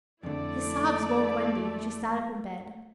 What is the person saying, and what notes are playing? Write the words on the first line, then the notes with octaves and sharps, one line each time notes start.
His sobs woke Wendy, and she sat up in bed.
F2 D3 A3 E4 D5